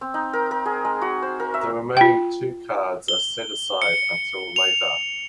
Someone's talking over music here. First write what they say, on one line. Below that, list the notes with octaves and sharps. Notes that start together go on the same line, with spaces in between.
The remaining two cards are set aside until later.
C4
D#4
A#4
A#4
G#4
G#3
F#4
C5
A#4
E5
F4 G5
G7
C#7
F7